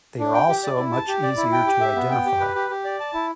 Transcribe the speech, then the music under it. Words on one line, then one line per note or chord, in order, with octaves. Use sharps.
They are also much easier to identify.
D4
G5
G4
D5
E4
A5
G4
D5
E4
G5
G4
E5
B3
G5
G4
B4
G4
G4
D5
A5
E4